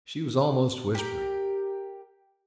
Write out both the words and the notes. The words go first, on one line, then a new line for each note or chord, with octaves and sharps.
She was almost whispering.
G4 A#4